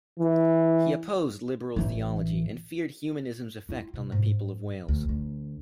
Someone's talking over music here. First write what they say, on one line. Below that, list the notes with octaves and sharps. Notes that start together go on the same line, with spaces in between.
He opposed liberal theology and feared humanism's effect on the people of Wales.
E3
A1 E3
E4 F4
C3
G#2
D2
D2